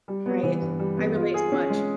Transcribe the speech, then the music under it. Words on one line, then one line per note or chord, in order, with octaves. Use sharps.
Right. I relate so much.
G3
B3
E3
G2
G3
B3
F4
G#4
C#4
G#3